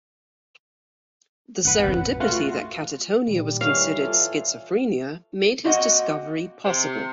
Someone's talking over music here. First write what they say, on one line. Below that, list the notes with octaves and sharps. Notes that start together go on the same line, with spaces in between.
The serendipity that catatonia was considered schizophrenia made his discovery possible.
A1 B4 F#5
B2 C#4
A3 F4 F#4
A#2 D#3 G3
D#3 E3 C#5 F5
E3 F4 A4
A#3 C4 F#4 D#5 F5 F#5
C3